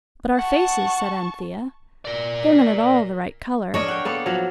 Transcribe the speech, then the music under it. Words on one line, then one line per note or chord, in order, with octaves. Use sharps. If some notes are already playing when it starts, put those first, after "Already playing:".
'But our faces,' said Anthea, 'they're not at all the right colour.
F#5 A5 C#6
A#4 D5
D4 A#4 C#5 D#5
F#5 G5
A#3 B3 A4
F3 F#3